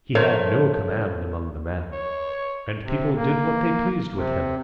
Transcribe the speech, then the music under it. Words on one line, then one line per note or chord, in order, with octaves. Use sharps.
He had no command among the men, and people did what they pleased with him.
F3 A3 A#4 C5 C#5
C#5
C3
A#3
C3